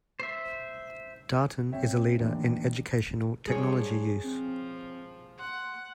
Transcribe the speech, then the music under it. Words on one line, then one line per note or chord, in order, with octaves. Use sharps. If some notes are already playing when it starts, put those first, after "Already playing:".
Darton is a leader in educational technology use.
C5 E5
B1 C4 C#5 E5 G5
A1 A#2 D#3 E3 D4
F3 G3 D4 G#4 C#5
F3 C4
F#5 C6